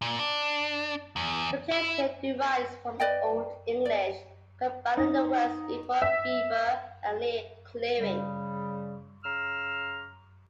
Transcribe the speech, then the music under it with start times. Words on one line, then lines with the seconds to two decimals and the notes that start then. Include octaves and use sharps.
The placename derives from Old English, combining the words "befer" "beaver" and "leah" "clearing".
0.02 A#2
0.19 D4
1.16 E2
1.71 E4
3.00 B4 D5 D#5 G5
3.85 D5
4.97 D#4
6.02 E5
7.99 C#3 G3
9.24 C#3 A#5 C6 E6 F6